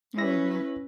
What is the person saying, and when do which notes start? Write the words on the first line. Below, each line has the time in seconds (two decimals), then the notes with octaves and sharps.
I love that.
0.18 C#4 E4 B4 E6 A#6